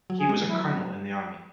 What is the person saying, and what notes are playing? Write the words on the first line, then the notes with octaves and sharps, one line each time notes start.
He was a Colonel in the Army.
F#3
G#4
G#3
E3
F#3 E4